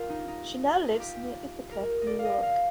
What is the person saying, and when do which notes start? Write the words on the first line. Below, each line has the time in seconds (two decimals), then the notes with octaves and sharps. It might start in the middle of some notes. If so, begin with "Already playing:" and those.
She now lives near Ithaca, New York.
Already playing: F4 G4 A#4
0.10 D#4
0.28 D#4
0.83 D#4
0.91 F4
1.00 G4
1.71 A#4
2.02 D#5
2.07 D5
2.19 F5
2.25 D#5
2.43 F5